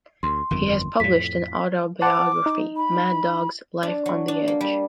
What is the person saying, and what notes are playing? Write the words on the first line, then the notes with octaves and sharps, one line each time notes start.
He has published an autobiography, "Mad Dogs: Life on the Edge".
D2 C6
G1 F2 D#3
F2 A2 B6
C5 F#5 A5 D6
D#4
B5
D4
F#3
D4
A#3
G3